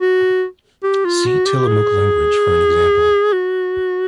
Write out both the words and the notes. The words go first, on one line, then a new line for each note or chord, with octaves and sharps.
See Tillamook language for an example.
F#4
G4
F4
F#4
G4
G#4
F#4